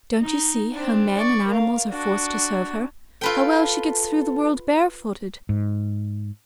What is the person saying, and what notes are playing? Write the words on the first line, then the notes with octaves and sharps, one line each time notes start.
Don't you see how men and animals are forced to serve her; how well she gets through the world barefooted?
D#4
C4 D4
D5 C#6
A#4 F5
D4 F#4
F4 A4 B4 G5
G#2